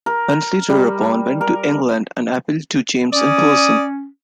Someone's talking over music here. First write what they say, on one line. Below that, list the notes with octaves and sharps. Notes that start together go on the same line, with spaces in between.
Huntly thereupon went to England and appealed to James in person.
A#4
G3
A#4
C#4 D5 D#6